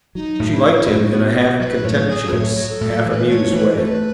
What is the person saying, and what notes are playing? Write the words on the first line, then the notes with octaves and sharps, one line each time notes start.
She liked him in a half-contemptuous, half-amused way.
F#3 D#4
A2
E4
F#3
A2 F#4
B3
B3
F#3 B4
A2 C#5
F#3 G#4
A2 C#5
F#3
A4
A2
E3 B4
A3 C#5
E3 B4
A3 B4 C#5